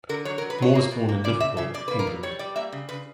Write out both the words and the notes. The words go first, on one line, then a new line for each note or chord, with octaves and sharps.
Moore was born in Liverpool, England.
D3 A#4
F#3 C#5
A#4
F#3
B4
F#3 C#5
A#3
B2
A#3
C#3 D5
C#3 E5
C#3 E5
B2 D5
A#3 B4
A#4
B2
G3 C#5
G3 D5
A#3 E5
C#3
C#3 B4